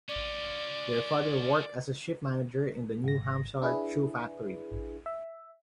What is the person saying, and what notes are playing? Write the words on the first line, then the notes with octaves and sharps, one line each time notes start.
Their father worked as a shift manager in a New Hampshire shoe factory.
C#4 F4 D5
G#1 A#6
D4 E4 G#4 B4
E5